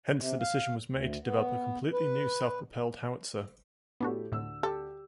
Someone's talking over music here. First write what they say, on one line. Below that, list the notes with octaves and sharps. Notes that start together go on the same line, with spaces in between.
Hence the decision was made to develop a completely new self-propelled howitzer.
C3
F5
D2
B3
B4
A2 B3 D4 F#4 G4 A4
D2 A2 D3 E6
G4 A4